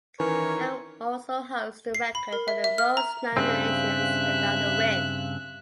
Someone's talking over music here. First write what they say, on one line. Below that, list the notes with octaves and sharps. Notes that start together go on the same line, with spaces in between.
Young also holds the record for the most nominations without a win.
D#3 E3 C#4 A#4 B4 C#5 G#5
C7
B5
A#4
E5
E5
F6
A#5
G2 C#3 C4 E5 F#6